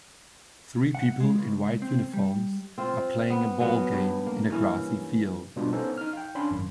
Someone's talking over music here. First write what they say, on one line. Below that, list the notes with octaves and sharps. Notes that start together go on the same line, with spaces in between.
Three people in white uniforms are playing a ballgame in a grassy field.
F#5
G#3
C#2
C4
G3
C4 F4
B3
F#3 B3 C#4
G2
A#3
E3 C#4
B2 G3 D4 F4
B3 C#4 D#4 A4 C5
D#4 F6
F5 G5
C#4 D4 B5 C6
G#1 F#2